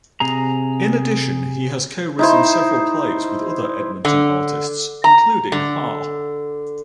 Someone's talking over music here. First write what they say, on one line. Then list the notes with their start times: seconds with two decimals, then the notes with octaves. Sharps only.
In addition, he has co-written several plays with other Edmonton artists, including Ha!
0.20 C3 G#4 A#5
2.19 D#4 E4 C5
4.05 D3
5.04 A#5
5.52 D3